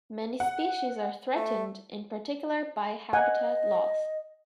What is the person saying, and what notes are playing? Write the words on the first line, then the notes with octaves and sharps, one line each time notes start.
Many species are threatened, in particular by habitat loss.
F#5
A3
D#5 F#5 G#5